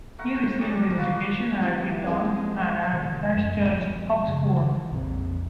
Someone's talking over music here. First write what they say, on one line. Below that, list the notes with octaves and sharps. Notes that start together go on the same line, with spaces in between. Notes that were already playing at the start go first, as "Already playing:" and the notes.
He received his education at Eton and at Christ Church, Oxford.
A3 A#4 F#5
A#4 C5
C#4 G4 G#4 D5
D4 D5
G3 F4 F#4
E3 F3 C4 G4
F3 G#3 A#3 C4
C3 D#3 F3 A3
F#2
F#2 A#2 F3
C#3
A#1 F2 C4